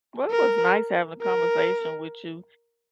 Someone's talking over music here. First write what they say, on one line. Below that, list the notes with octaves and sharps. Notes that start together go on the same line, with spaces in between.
Well, it was nice having a conversation with you.
A#4
A#4